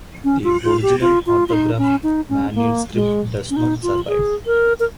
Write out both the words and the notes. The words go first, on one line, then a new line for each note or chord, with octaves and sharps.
The original autograph manuscript does not survive.
C#4
F4
F4
G4
F4
F4
F4
D#4
C#4
D#4
C#4
A#3
G#3
C#4
D#4
F4
G#4
A#4
A#4